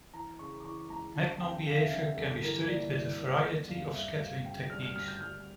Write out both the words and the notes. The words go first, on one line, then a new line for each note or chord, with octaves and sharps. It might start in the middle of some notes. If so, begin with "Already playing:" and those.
Magnon behavior can be studied with a variety of scattering techniques.
E3 A#5
C#3 C#6
D6
E3 C#6
C#2 A#5
D3 A5
A5
F1 G5
F2 F5
E5
D3 E5
A4
G1 A4
E3 A#4
A#3 D5
G1 D5
A#3
G1
G1 F5
G1 E5
D2 F5
C#3 G5
G3 F6
F6
D2 F6
G6
G3 F6